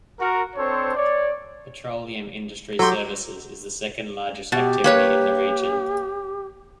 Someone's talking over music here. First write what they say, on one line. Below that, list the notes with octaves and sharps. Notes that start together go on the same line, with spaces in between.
Petroleum industry services is the second largest activity in the region.
F#4 A#4
C4 D4 A4 C5 C#5
C#5 D5
F#3 G4 A4 C6
B2 G4
A#3 B4 C#5